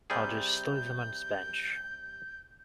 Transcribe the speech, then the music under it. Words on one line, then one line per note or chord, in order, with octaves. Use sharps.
I'll just leave them on this bench.
C3 G3 G#4 G6